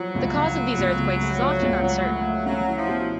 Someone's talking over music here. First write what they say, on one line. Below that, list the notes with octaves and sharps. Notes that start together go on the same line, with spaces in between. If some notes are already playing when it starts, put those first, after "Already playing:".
The cause of these earthquakes is often uncertain.
Already playing: F3 F#3
C#2
C#2
F3
C#2
C#3
A3
F3
C#2
F3 F#3
A3
A3
F#3 C#4
E4
F3
B2